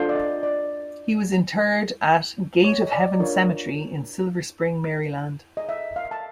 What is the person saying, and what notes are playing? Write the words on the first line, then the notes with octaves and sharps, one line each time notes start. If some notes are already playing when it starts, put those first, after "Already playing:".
He was interred at Gate of Heaven Cemetery in Silver Spring, Maryland.
Already playing: D4 F4 A4 C5
D5
D#5
D5
C#5
D#5
D5
D4 F4 A#4 C#5
D#5
E5
F5
A5